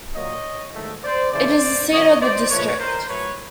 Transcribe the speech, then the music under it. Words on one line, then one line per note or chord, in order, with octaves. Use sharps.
It is the seat of the district.
A#2 F#3 A#3 C#5 D#5
G#2 D#3 F#3 A3
C5 D5
C#3 E3 A3 C5 D5
F#2 D#3 F#3 C#5 D#5
C5 D5
A#2 F3 A3 B4 C#5
A#4 C5
A2 F#3 A3 B4 C#5